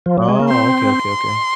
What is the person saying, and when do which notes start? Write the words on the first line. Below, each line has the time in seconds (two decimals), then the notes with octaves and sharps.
Oh, okay, okay, okay.
0.06 F3
0.18 F#3
0.29 G#3
0.40 A#3
0.49 C4 C6